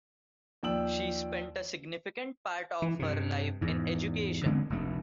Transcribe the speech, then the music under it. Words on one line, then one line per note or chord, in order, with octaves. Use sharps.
She spent a significant part of her life in education.
D#2 F3 D5 G5 E6 F#7
E3
G2 C3
E2 G#2
D3 G#3 B3 C4
F1 D2 A3